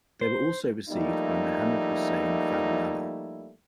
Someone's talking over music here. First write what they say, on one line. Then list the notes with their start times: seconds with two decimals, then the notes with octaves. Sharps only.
They were also received by Mohammad Hussein Fadlallah.
0.21 C5
0.89 F3 G3 A3 A#3 D#4 E4